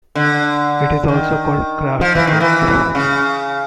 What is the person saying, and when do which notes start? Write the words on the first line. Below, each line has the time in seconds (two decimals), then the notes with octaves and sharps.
It is also called Kraft soap.
0.15 D3
1.08 D#3
2.01 F3
2.15 E3
2.27 D#3
2.40 E3
2.95 C#3